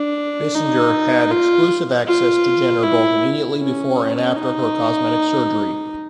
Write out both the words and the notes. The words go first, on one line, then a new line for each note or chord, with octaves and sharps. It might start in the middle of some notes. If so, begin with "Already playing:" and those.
Bissinger had exclusive access to Jenner both immediately before and after her cosmetic surgery.
Already playing: D4
D#4
F4
F4
E4
C#4
D#4